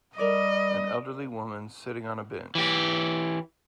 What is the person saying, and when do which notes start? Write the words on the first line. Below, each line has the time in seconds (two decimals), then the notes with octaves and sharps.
An elderly woman sitting on a bench.
0.18 G3 A#4 D5 D#5 D6
2.55 E3 G4